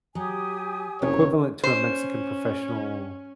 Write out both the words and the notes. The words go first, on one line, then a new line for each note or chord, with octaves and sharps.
equivalent to a Mexican professional
F#3 G4 G#5 D#6
F#1 C3 C#5
C#4 C5